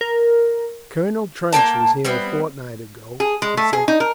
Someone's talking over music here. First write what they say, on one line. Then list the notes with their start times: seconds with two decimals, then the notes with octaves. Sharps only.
"Colonel Trench was here a fortnight ago," she said.
0.01 A#4
1.53 A#3 A#4 G5 A5
2.05 G3 B3 C4 E4
3.20 G#4
3.42 G#3
3.57 A3
3.73 G#4
3.88 D#4
4.00 A#4